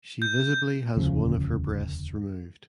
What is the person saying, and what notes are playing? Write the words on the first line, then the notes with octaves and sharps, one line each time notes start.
She visibly has one of her breasts removed.
G6
E1 D2 C#3 F3